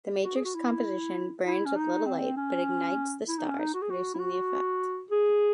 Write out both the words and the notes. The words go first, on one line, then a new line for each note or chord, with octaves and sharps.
The matrix composition burns with little light but ignites the stars, producing the effect.
F#4
G#4
F#4
E4
E4
C#4
D#4
C4
C#4
E4
D#4
C#4
D#4
F#4
G#4
F#4
E4
F#4
G#4